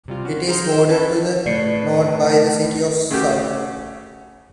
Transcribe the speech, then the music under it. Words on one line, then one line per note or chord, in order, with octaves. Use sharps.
It is bordered to the north by the city of Sulphur.
C3 G3 F4
C#4 F#4
G#4 C5 F5 A#5 C6
E6 G6
C#4 A4 B4 A5
A2 C#3 B4 D5 A5 C7 C#7
C#3 A3 F#4 G4